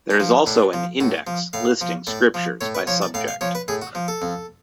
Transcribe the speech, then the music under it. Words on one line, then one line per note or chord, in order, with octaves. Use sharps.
There is also an index listing scriptures by subject.
D4
F3
A2 D4
F3
A2 F#4
F3
A2 F5
F3
A2 D5
F3
A2 C#5
B4
F3 C#5
D5
A2 F5
F5
F3 C#5
B4
A2 G#4
F#4
F3
A4
F2